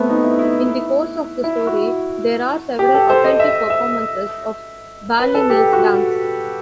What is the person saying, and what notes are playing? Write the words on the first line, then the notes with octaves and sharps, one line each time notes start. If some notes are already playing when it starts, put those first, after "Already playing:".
In the course of the story there are several authentic performances of Balinese dance.
Already playing: A3 B3 C4
D#4
E4
E4
E4
F#4
G4
A4
C5
D#5
E5
E5
B4
A4
G4
F#4